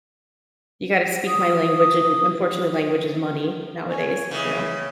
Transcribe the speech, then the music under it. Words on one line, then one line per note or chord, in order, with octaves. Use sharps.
You gotta speak my language, and unfortunately, language is money nowadays, you know?
D#6
C#5 G#5
C#3 E3 D#5